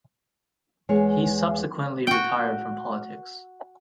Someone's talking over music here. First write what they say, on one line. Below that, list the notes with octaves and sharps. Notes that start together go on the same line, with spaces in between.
He subsequently retired from politics.
E2 G#3 C#5
F#4 G5